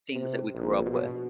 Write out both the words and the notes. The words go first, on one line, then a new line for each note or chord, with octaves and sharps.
things that we grew up with.
C3
A#1
B2